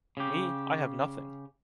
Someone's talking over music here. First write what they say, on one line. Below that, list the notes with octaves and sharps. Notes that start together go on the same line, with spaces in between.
Me, I have nothing!
C#3 G4